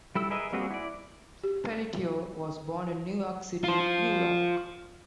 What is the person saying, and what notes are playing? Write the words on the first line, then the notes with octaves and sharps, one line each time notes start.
Pelletier was born in New York City, New York.
G3 E4 A4 E6
G#4 A#4 B4 D#5 E5
G3 A#3 C4 F#4 G#4
E4 D5
G4
F4 C5